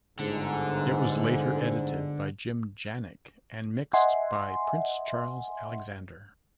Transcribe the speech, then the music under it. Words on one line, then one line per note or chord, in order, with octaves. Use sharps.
It was later edited by Jim Janik and mixed by Prince Charles Alexander.
G1 G#2 D3
D#5 E5 F#5 G#5 C6